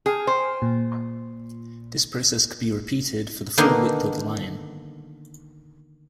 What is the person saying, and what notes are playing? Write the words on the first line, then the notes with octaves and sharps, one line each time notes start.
This process could be repeated for the full width of the line.
G#4 G5 G#5 F6
C5
A#2
D3 D#3 A#3 B3 D4 D#4